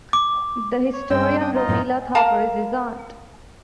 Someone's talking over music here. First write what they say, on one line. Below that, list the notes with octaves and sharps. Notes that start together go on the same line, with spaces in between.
The historian Romila Thapar is his aunt.
D6
C#5
G2 G#3 C4 C#4 G5 E6
D4 G5 D#6
D#4 F4 D#5
F#2 A2 A3
A#4 F5 A5 A#5